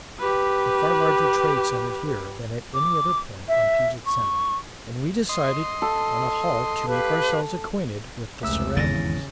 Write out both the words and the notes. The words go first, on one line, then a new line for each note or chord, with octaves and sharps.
A far larger trade centered here than at any other point on Puget Sound, and we decided on a halt to make ourselves acquainted with the surroundings.
G4 B4
D6
E5
C#6
D#5 C6
A4
G4 B4 F5
F1 C#2 A3 E6
G#1 E2 C#3 E3 A6 A#6